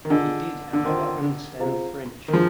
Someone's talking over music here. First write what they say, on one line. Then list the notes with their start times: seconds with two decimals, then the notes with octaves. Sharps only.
He did however understand French.
0.05 D#3
0.10 D3 D4 F4 G#4 D#5 G#5
0.73 D3
0.85 D#3 F4 C5 D#5 G5 C6
1.60 F4 G#4 C5 F5 A#5
2.28 D#3
2.33 F3 D4 G#4